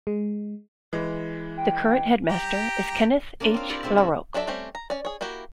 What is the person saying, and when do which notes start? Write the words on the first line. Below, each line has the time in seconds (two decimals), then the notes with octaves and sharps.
The current headmaster is Kenneth H. LaRocque.
0.07 G#3
0.93 E3 G#3
1.57 G5
2.29 G4 G5 A#5
3.40 A#3 C#4 D4 F4
3.54 C4 F5
3.69 E4 F4 G4 A#4 D5
3.83 G#2 C3 C4 F4 E5
3.98 E4 A#5
4.34 F#3 D4 A4 D5 E5
4.47 G3 A3 C4 C#4 G4
4.75 A#5
4.90 C#4 D5
5.05 G#4 C#5
5.21 A#3 E4 F#4 G4